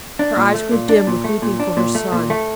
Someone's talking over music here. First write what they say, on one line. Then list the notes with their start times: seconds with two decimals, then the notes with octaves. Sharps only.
Her eyes grew dim with weeping for her son.
0.19 D4
0.37 A#2
0.55 A3
0.72 A#2
0.89 D4
1.07 A#2
1.24 A3
1.42 A#2
1.60 D4
1.77 A#2
1.95 A3
2.12 A#2
2.30 A3